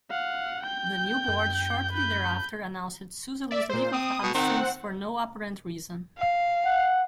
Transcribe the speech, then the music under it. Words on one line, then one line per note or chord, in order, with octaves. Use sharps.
The new board shortly thereafter announced Suzzallo's "leave of absence" for no apparent reason.
F5 F#5
G5 G6
F#2
B4 G6
D5 E5
A#2 C5
C4 D#6
B2
D#3 C4 F#5
F5
F#5